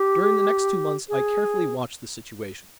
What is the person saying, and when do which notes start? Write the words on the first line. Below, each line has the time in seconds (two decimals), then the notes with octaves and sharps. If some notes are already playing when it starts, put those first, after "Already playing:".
During the next two months I carefully watched the situation.
Already playing: G4
1.09 G#4